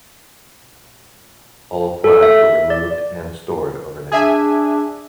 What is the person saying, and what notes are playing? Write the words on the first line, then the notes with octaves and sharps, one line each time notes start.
All flags were removed and stored overnight.
A4
E5
D5
D4 G#4 E5 G#5